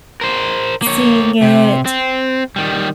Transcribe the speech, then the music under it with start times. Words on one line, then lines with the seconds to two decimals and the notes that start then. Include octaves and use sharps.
seeing it,"
0.21 A#4 C5
0.82 A#3 C#5
1.42 C3
1.86 C4
2.56 D#3 G3